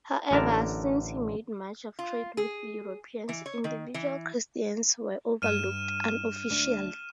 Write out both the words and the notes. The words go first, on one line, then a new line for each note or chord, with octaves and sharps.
However, since he made much of trade with Europeans, individual Christians were overlooked unofficially.
A1 D3 A#4 A5
F4
G#4
E3
C#5
D#3
E3
G2 F6 D#7 E7
D2 D4